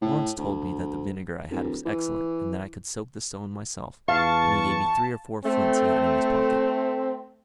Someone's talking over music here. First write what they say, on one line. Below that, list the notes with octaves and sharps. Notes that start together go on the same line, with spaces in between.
Lawrence told me that the vinegar I had was excellent, and that I could soak the stone myself, and he gave me three or four flints he had in his pocket.
A2
D2
D1
E3
E2 F5 A5 C#6
A3 C4